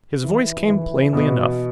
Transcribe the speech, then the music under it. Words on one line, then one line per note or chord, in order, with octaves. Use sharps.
His voice came plainly enough.
E3
E3
B2